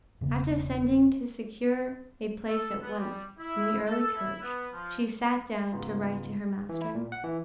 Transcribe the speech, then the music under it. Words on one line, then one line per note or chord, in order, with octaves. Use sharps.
After sending to secure a place at once in the early coach, she sat down to write to her master.
E1 C#3 A#3 B3
A4
B3
G3
E4
A4
E4
B3
F3
G#2 C#3 B3 D#4 F4
E3
E4
A#2
F#5
E3